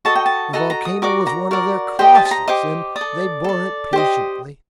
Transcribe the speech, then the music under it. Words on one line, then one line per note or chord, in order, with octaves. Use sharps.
The volcano was one of their crosses, and they bore it patiently.
F#4 A4 D#5 A5
G5
A5
F#4 A4 D#5 A#5
A#5
D#6
F#4 A#4 D5 D6
A#5
F#4 A#4 D5
G4 C5 D#5 G5
A5
A5
A#5
G4 C5 D#5 D6
D5 D#6
A4
A4 D5
G4 C5 D#5